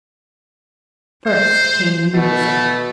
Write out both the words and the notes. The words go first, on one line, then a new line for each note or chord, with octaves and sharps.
First came the music.
C5
B2 A3